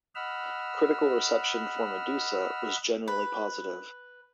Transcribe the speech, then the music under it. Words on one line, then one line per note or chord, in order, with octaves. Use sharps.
Critical reception for "Medusa" was generally positive.
D#5 F#5 B5 E6 F6
B4